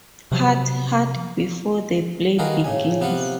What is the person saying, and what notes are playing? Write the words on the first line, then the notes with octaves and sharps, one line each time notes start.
Hut, hut.. before the play begins.
C3 F3 F#3
D#3 F4 F#4 G#4 A#4 B4
A2 C#3 G#5
C3 B3 F4 B4 F#5